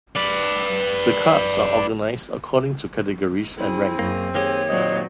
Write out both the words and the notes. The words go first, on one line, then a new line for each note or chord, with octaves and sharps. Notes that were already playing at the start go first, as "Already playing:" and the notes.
The cards are organized according to categories and ranked.
B4 D5
C4 E4 G#4
F#2 A#3 G#4
D#3 A#3 G4 G#4 C#5
A#2 F#3 C4 D#5